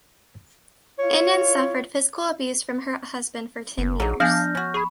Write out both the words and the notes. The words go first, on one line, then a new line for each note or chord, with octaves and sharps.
Anand suffered physical abuse from her husband for ten years.
E4 F4 C#5
F#1
A#1 F#3 D#4 G#4
F3 B3 D4 F5 G#5 F6 G6 A#6
C#4 F#4
G#4 B5 C#6